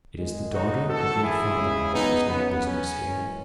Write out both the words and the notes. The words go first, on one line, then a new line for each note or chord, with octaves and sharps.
"It is the daughter of your father who is my business here."
F#2 D#3 G#3
D#4 F#4
F#2 E3 G#3 F#4 A4
E4 G#4
C#3 G#3
B3 D#4
C#3 F#3 A3 B3
C#4
F#2 E3 G#3